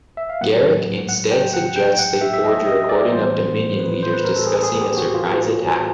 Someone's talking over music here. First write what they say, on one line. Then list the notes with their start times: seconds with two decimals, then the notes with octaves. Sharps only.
Garak instead suggests they forge a recording of Dominion leaders discussing a surprise attack.
0.17 E5
0.29 F5
0.41 A2 F#3 A#3 F#5
1.09 F#5
1.31 G5
1.54 F#5
1.76 G5
1.99 F#5
2.21 E5
2.34 E5
2.44 D#5
2.67 D#5
2.89 D5
3.11 A2 E3 G3 B3 C5
3.79 B4
4.03 C5
4.13 B4
4.24 A#4
4.36 A4
4.47 G#4
4.64 G#4
4.81 G4
4.98 F#4
5.14 F4